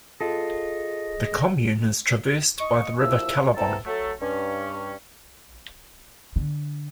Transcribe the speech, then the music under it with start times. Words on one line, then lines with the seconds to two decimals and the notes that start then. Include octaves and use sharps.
The commune is traversed by the river Calavon.
0.21 F4 G#4 A4 D#5
2.59 D#5 C#6
2.99 D#2 F3 E4 E6
3.56 B3 C4 E4 A4 A5 A#5
3.86 F#3 A3 A4
4.20 G2 C#4
6.36 D3